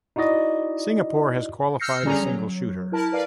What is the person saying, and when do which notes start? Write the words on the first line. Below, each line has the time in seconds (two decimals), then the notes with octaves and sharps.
Singapore has qualified a single shooter.
0.16 D#4 E4 F#4 D5 D#5
1.80 E6 F6 G6 A#6 C7 C#7
2.03 D3 G3 C#4 G#4 A#5
2.22 F#3
2.92 E4 A#4 A5
3.12 A#4 B4 D5 F5